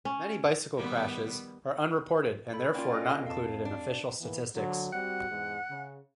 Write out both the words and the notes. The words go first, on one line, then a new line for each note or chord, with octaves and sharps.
Many bicycle crashes are unreported and therefore not included in official statistics.
C#4
D#3 G3 B3
A4 B5
A#3 C#4 F4 D5 G5
A4 D#5 G5
F2 F5 A5
D4
E3 A#3 B3
D3 F#3
G3 C4 F#4 F#5
E2 G#2 G#3
C#3